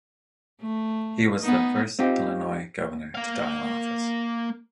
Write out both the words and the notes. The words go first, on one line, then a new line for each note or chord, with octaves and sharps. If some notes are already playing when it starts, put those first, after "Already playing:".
He was the first Illinois Governor to die in office.
A3
B3 D#4
C4 D#4 F4 G4
A#3 F5